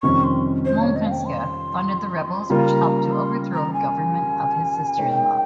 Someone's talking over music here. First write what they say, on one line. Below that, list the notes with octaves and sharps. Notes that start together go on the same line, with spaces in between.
Montpensier funded the rebels, which helped to overthrow the government of his sister-in-law.
F2 C3 D#3 G3 C#4 C#6
C6
C5
C#5
D#5
F5
G5
C6
C#3 G3 A#3 F4 A#4 A#5
C6
A#5
G#5
G#3 D#4 A#4 C#5 G5